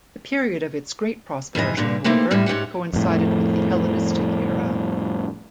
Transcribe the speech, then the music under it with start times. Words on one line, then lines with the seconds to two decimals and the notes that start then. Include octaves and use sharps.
The period of its great prosperity, however, coincided with the Hellenistic era.
1.55 F2 G#2 E3 D#5
1.77 G2 A#2 D3
2.04 E3 A3 A#3 D#4 G4 C5
2.31 F2 A2 D3 G3 E4
2.46 G#2 C#4 G4 F#5
2.93 F2 A2